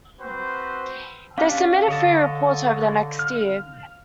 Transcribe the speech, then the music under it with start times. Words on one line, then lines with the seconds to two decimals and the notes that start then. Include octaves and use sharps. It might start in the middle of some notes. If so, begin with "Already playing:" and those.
They submitted three reports over the next year.
0.19 C4 F#4 B4 C5
1.38 C#4 D4 G4 F5
1.88 D3 C#5 D#5 A5
3.19 F6